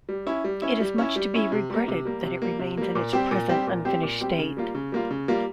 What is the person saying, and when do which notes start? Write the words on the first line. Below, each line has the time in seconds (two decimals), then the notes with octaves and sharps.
It is much to be regretted, that it remains in its present unfinished state.
0.09 G3
0.27 C#4 E4
0.44 G3
0.62 C#4 E4
0.80 G3
0.98 C#4 E4
1.16 G3
1.34 C#4 E4
1.52 C3
1.70 G3 A#3
1.88 C3
2.05 G3 A#3
2.23 C3
2.42 G3 A#3
2.59 C3
2.77 G3 A#3
2.95 A#2
3.13 G3 C4 G4
3.31 A#2
3.49 G3 C4 G4
3.67 A#2
3.85 G3 C4 G4
4.03 A#2
4.21 G3 C4 G4
4.39 C#3
4.57 G3 A#3 F4
4.75 C#3
4.92 G3 A#3 F4
5.11 C#3
5.28 G3 A#3 F4